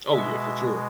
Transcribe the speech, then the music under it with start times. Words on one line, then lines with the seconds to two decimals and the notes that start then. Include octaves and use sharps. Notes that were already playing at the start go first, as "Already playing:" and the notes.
Oh, yeah, for sure.
0.13 B2 G#3 E5